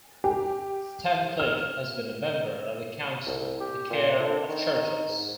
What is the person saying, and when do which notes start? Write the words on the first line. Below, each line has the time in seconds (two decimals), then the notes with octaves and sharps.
Stancliffe has been a member of the Council for the Care of Churches.
0.24 G4
1.40 F6
3.26 C2
3.60 G4
3.90 A#2
4.20 D3
4.49 D#3
4.87 D#4
5.08 G#2